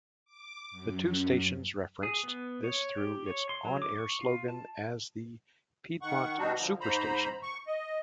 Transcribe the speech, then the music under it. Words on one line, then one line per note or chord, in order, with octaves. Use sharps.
The two stations referenced this through its on-air slogan as the "Piedmont Superstation".
D6
F#2
G#4
B3
C#5
G4
C#5
C6
F#3
D6
C#6
F4
A5
D#3 F#5 C#6
B2 G3 D4 D#4 F#4
D3 F3
G#2 C5 A#5 B5
C#6
D#5